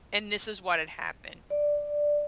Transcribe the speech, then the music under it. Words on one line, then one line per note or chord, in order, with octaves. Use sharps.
and this is what had happened,
D5